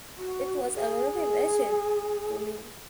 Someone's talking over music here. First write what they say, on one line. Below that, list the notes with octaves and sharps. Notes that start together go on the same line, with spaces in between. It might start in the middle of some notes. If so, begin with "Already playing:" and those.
It was a revelation to me.
F#4
G#4